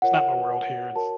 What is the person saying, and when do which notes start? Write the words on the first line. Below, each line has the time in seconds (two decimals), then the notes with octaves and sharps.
it's not my world here, and
0.02 F4 A#4 C#5 F#5
0.95 F#4 A#4 C#5 A5